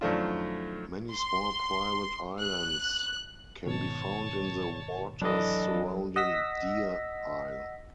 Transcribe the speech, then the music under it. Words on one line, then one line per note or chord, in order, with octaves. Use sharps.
Many small private islands can be found in the waters surrounding Deer Isle.
F#2 D#3 F3 A3 D4 F4
C6
F#6
G#2 B2 D#3 C#5 A5
E3 F#3 D4 A4 D#5
D#5 F#5 E6 A#6 B6